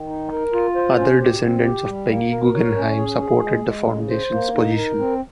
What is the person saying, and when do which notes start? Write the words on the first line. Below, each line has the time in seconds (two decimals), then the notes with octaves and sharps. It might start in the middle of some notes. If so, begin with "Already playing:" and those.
Other descendants of Peggy Guggenheim supported the foundation's position.
Already playing: D#3
0.08 D#4
0.31 A#4
0.53 F4
0.75 C5
0.98 C#4
1.20 G4
1.43 C4
1.64 G4
1.87 G3
2.10 A#3
2.31 A#4
2.54 C#5
2.76 C#4
2.98 G#4
3.20 G#4
3.43 G#3
3.65 G#3
3.88 C#3
4.09 C5
4.32 A#3
4.55 D#4
4.76 A#4
4.99 C4